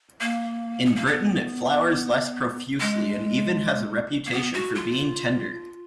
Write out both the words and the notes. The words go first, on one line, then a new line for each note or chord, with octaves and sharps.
In Britain it flowers less profusely and even has a reputation for being tender.
A#3
B3
A#3
B3
G#3
A#3
B3
F#4
F4